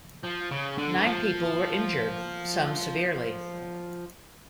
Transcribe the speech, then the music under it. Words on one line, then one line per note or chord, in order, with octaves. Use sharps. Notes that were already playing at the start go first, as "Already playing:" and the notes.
Nine people were injured, some severely.
F3
C#3
D3
E3
F3